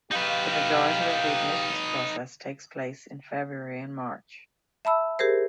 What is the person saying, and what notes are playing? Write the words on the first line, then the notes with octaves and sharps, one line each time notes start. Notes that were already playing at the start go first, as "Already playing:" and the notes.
The majority of the admissions process takes place in February and March.
D#4 G4 B4 F5
E5 A5 B5 E6
G4 G#4 A#4 C5